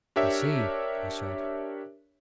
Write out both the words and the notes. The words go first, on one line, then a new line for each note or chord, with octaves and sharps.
"I see," I said.
D4 G4 A#4 C#5 E5